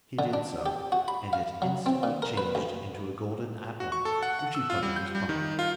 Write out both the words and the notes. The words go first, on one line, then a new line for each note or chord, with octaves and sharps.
He did so, and it instantly changed into a golden apple, which he put in his pocket.
D3
D4
G4
F#4
B5
F5
F#3
C4
A#2
A#4
B4
D2
F#4
C#6
A4
F#5
F#5
E6
F4
G3
G6
G3
D#3
F4